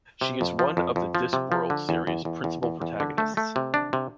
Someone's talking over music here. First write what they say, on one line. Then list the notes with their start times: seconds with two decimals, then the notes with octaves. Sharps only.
She is one of the "Discworld" series' principal protagonists.
0.21 C3
0.41 F2
0.59 F3
0.77 F2
0.96 F2
1.15 F3
1.33 C3
1.52 F3
1.70 D3
1.89 E2
2.07 E2
2.25 E2
2.44 E2
2.63 E2
2.82 E2
3.00 D3
3.18 A3
3.37 A3
3.56 C3
3.74 D4
3.93 C3